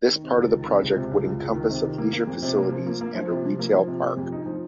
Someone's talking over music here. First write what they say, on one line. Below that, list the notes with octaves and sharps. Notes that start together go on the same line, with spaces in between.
This part of the project would encompass of leisure facilities and a retail park.
D#3
C3
C#2
D#3
C3
C#2
C3
C#2
C#2
C#2
D#3
C3
D#3
A#3
A#3
F2
C3
A#3
F3
A#3
A#3
F3
C3
F3
A#3
F3
C3
C3
F2
D#4
F3